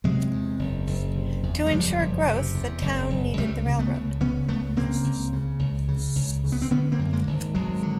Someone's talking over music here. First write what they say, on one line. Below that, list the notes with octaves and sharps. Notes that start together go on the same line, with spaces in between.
To ensure growth the town needed the railroad.
C3 F#3 G#3
E2
F#1
F#1
C3
E2
G#3
F#1 F3 G3
F#1
C3
E2
F#1
F#1
C#2 G3 A3
C#3
A3 B3
C#2
C#3 B3 C#4
C#2 A3 B3
C#3 A#3 C4
C#2
C#3
C#2
C#3
C#2
C#3
B3
C4
D3 B3 C#4
A#3 C4
F#2
G#3 A#3
G#1
G#1 F#3 G#3
D3